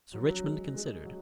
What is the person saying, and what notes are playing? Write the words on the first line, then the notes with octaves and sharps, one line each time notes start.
Sir Richmond considered.
F#3
F#3
G#3
G#3
F#3